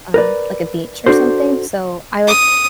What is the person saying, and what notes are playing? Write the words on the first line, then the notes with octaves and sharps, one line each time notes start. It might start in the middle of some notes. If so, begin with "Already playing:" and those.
have um, like, a beach or something, so I like
A#4 B4 D5
D4 F#4 A4 C5
D#6